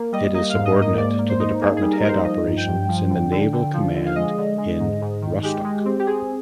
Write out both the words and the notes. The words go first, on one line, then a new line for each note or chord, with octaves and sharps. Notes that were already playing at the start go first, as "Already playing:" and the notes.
It is subordinate to the department head operations in the naval command in Rostock.
Already playing: A#3
G3 D#5
A#3 D#5
F5
G#2
D#5
A#3 D#5
G#2 D5
A#3
C5
D#4
A#3 G#4
G#4
G3
A#4
D#4 A#4
C5
F3 D#5
G2
G5
G2
F3
D3
D3
D3
F3
D3
F5
G#3 D#5
D3
G#3
G#2
G#2
D#3
G#3 G4
G#3
C4
G4
C4 G#4